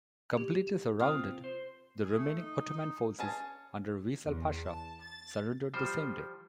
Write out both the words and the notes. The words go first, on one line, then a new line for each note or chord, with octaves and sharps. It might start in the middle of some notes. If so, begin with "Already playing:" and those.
Completely surrounded, the remaining Ottoman forces under Veissel Pasha surrendered the same day.
G4
C3 C4 F4 D#6 F6
C5
G#4
A3
D#4
D#4
C#4 G#4 A5
E2
A5
A6
F3 G3 C5